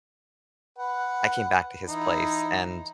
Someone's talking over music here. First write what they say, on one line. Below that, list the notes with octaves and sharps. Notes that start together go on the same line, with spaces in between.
I came back to his place, and
B4 F#5
E3 D#4 E4